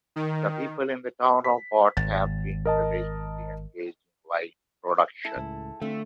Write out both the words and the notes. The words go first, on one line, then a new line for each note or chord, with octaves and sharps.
The people in the town of Bot have been traditionally engaged in wine production.
D#3
B6
G#1 A6
A#4 D#5 A5
G#3 E4 A4
C#2 A2
D3 A3 C4 F4